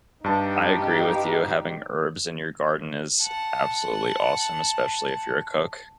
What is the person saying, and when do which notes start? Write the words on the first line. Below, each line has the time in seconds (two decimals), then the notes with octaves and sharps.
I agree with you. Having herbs in your garden is absolutely awesome, especially if you're a cook.
0.24 G2 D#4 G4 A5
3.20 F#5 A5